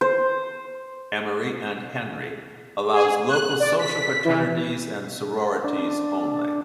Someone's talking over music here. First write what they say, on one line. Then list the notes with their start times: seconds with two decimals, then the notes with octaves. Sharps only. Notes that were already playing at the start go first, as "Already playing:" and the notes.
Emory and Henry allows local social fraternities and sororities only.
0.01 C5
2.93 G#4
3.29 F#6
3.60 D5
3.79 B6
4.24 E3
5.64 D4